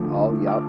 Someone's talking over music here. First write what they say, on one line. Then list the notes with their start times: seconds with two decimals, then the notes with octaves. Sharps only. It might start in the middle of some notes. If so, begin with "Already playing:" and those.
Oh, yep.
Already playing: D3 F3 A3 D6
0.47 D6